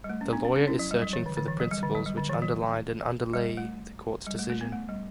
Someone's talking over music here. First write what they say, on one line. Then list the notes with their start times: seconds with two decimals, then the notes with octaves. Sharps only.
The lawyer is searching for the principles which underlined and underlay the court's decision.
0.04 G3
0.10 A3
0.21 C#4
0.33 B3 D4
0.45 C#4
0.56 C#4
0.68 C#4 E4
0.79 F#3
0.91 G3
1.02 F#3
1.13 E3
1.26 D3
1.37 D3
1.48 E3
1.60 F#3
1.71 G3
1.83 D3
1.95 F#3
2.06 G3
2.18 D3
2.29 E3
2.42 F#3
3.33 G3
3.57 A3
4.27 G3
4.39 A3
4.49 A3
4.61 B3
4.72 A3
4.89 G3